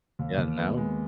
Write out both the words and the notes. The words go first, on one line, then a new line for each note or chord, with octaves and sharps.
Yeah, and now
D#2
D#2
B3
G#3